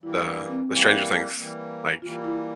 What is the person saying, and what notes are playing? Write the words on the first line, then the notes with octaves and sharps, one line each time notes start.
the the Stranger Things, like,
E3 G3 A#3 E4
D4
C4
E3 G3 A#3
E3 G3 A#3
E3 G3 A#3 F4
E4